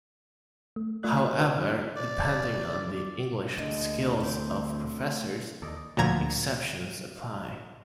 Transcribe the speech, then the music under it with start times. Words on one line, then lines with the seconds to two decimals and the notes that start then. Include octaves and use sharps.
However, depending on the English skills of professors, exceptions apply.
0.76 A3
1.03 A3 F4 D5 F#6
1.39 D4 F#4 B4 C#5
1.96 D5
3.58 D2 A#2 D3 G#3
4.20 F#3 A3 C4 D4 G5
5.62 D#2 A4 D5 D#5
5.97 D2 A#2 F3 A#5 G#6 A#6